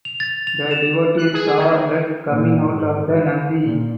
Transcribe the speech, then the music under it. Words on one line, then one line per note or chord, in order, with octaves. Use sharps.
The devotees saw blood coming out of the Nandhi.
F7
A6
F7
E7
F#6
G#4
D#3
A#2
G#2
D#3
A#2